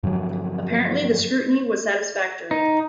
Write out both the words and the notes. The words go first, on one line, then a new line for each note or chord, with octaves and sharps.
Apparently the scrutiny was satisfactory.
G2 D3 F3 F#3
D#4